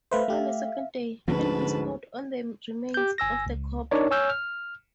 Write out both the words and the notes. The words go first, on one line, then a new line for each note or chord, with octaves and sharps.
On the second day, milk is poured on the remains of the cobra.
A3 B4 C5 E5 F5
A3 G4
D2 G#2 F3 C#4 B4 A5
G4 G6
G1 G#5 E6 A#6
C#2
D4 D#4 A#4 C#5 D5
C#5 G#5 E6 F6 G6
F6